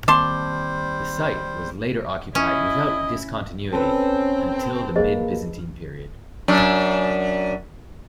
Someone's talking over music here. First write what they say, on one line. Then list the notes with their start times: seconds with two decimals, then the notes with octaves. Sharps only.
The site was later occupied without discontinuity until the mid Byzantine period.
0.08 D#3 G3 A#3 C4 C5 A5 C6 D6
2.35 C#4 E4 D#5
3.72 C4 C#4 A4 B4
4.96 A#3 G#4 C5 D#5
6.48 F#2 D4